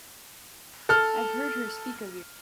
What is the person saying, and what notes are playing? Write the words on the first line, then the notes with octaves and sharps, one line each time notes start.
I've heard her speak of you.
A4 F6